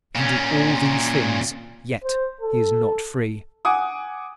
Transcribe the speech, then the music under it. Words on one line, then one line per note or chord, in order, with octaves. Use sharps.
He can do all these things, yet he is not free.
A#2 C#4
C5
A4
F#5 G#5 D6 D#6